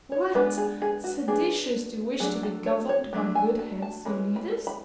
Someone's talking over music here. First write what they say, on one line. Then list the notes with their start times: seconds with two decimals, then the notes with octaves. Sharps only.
"What! seditious to wish to be governed by good heads or leaders?"
0.12 C#5
0.34 G#3 B3 D4 B4
0.58 G#4
0.82 G#4
1.04 F#4
1.28 F#3 B3 D4 G#4
2.20 F#3 A3 D4 G#4
2.43 A4
2.66 C#5
2.89 C#5
3.13 F#3 A3 D4
3.35 G#5
3.59 A5
3.82 A5
4.05 E3 G#3 C#4 B5
4.36 B5
4.67 B5